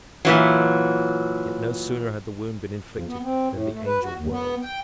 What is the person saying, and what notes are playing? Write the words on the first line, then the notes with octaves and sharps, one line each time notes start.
Yet, no sooner had the wound been inflicted than the Angel whirled.
A#2 E3 F#3
F2
B3
C4
A2
A3
B4
F#4
D#2
B3
G5